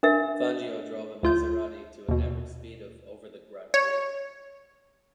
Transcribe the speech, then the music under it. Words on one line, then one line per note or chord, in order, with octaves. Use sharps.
Fangio drove a Maserati to an average speed of over the grand prix.
D4 A#4 E5
D2 F4 G6
D#2 B2
C#5